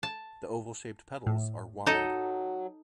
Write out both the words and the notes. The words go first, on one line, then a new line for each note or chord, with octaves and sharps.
The oval-shaped petals are wide.
A5
A2
F#3 D#4 A4 D#5